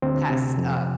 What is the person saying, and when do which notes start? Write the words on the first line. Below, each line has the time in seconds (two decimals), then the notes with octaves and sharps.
past, uh,
0.02 D2 C4
0.30 C3
0.58 F2